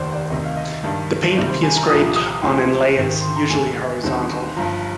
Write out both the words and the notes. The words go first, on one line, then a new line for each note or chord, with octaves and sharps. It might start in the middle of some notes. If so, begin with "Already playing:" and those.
The paint appears scraped on in layers, usually horizontal.
Already playing: F1 D#2 D#3 C5 D5
D5
D2 C3 D#3 D#5
F5
D#5
G2 D#3 G3 D4
C2 C3 D#3 G3 D5
C5
G#5
A#5
C2 A#2 F3 D#6
D6
D#6
D2 D3 F3 G#3 C4 C6
G#1 G#2 D#3
C6
A#5
D2 D3 G#3 G#5
D#2 D3 G3 C4 D#4
G1 G2 F3 A#5